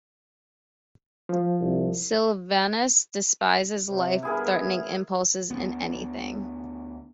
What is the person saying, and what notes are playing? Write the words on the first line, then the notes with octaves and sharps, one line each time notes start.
Silvanus despises life-threatening impulses in anything.
F3
C2
C3
G2 B3 E4 G#4 A#4
D2 B3